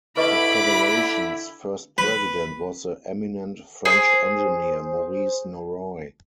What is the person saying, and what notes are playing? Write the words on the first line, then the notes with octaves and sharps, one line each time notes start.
The federation's first president was the eminent French engineer, Maurice Norroy.
D3 E4 B4 D#5 B5 C#6 D6
B4
G#4 C5